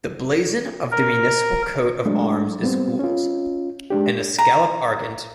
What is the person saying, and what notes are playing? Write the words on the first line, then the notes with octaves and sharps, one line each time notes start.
The blazon of the municipal coat of arms is Gules an Escallop Argent.
A#4
F#3 G#3 A3 D4
G3 B3 C4
C#4 F4
G#3 D4 G4
A#5